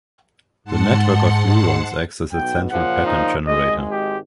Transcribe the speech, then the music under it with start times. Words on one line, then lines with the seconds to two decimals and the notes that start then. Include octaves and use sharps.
The network of neurons acts as a central pattern generator.
0.65 G#2 F#5 A5 C6 C#7
2.33 B1 B2 G5
2.71 A#2 C#3 F3 F#5
3.06 D#4
3.47 G#1 G#3 D#5
3.91 G4